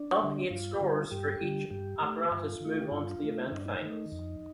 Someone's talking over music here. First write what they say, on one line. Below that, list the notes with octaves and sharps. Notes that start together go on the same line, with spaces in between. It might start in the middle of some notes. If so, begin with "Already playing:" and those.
The top eight scorers for each apparatus move on to the event finals.
Already playing: D4
D3 G3
G2 F4
D3 G3
G2 G4
D3 G3
G2 G4
D#3 A3
G2 F4
D#3 A3
G4
G2 F4
D#3 A3
G2 D#4
D4
D#4
D#3 A3
F2